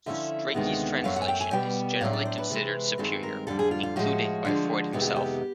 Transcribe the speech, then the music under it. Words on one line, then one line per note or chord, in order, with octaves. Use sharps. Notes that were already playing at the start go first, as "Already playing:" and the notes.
Strachey's translation is generally considered superior, including by Freud himself.
D3 F3 A3 C#4 E4 E5
D2 C3 D#3 G#3 B3
F#2 D#3 F#3 A3 F5
F#5
G#5
G5
G#5
B2 G3 B3 G5
A2 F#3 A3 D4 F5
D5
C5
B4
C3 E3 G#3
G2 D#3 G#3 C4 A4
A#4
F2 D3 G3 A4
G#4
F4
F4
A2 F3 G#3 F#4
D3 F3 G#3
F2 C3 D#3 G#3 B3 G#4
G4
F#4
G4